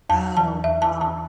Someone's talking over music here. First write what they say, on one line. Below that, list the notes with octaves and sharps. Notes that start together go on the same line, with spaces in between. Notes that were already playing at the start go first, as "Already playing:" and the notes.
Oh god.
E2 A5
E3 A5
E2 E5
A5
E3
A5